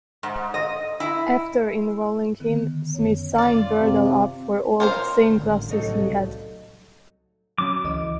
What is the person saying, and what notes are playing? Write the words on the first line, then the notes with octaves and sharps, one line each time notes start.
After enrolling him, Smith signed Burdell up for all the same classes he had.
G#2
D#5
E4
D3 D#3 B3
F#2 C#5
F4 D5 A6
C3 C4
C#4 D4 F4 A#4 C5
G#1 A2 D3
C2 A2 C#3 F#3 D#4 A4
F#3 C#4 D6
C#2 E3 D#5